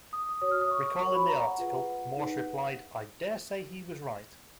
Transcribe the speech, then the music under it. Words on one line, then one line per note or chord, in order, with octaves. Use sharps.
Recalling the article, Morse replied: I daresay he was right!
D#6
F#4 C#5 D#6
F6
D#6
C#6
F#4 A#4 C#5 C#6
B5
A#5
F#5
F4 G#4 B4
D#4 G#4 B4